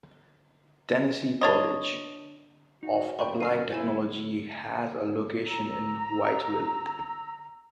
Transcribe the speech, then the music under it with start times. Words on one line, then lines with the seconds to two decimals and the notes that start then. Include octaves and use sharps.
Tennessee Colleges of Applied Technology has a location in Whiteville.
1.41 D4 C#5 D#5
2.83 D#4 F#4
3.19 F#2 E3 A3 A#3 B4 G5 B5 C#6
3.40 A#4 F5 F6 C7 D#7
3.71 E4 C5 G#5 E7
5.47 A#5 E6